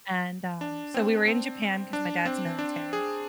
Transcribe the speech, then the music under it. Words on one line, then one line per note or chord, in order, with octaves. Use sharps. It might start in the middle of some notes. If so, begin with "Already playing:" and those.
and, uh, so, we were in Japan, 'cause my dad's military,
D4
C4
C4
D4
C4
D4
G#4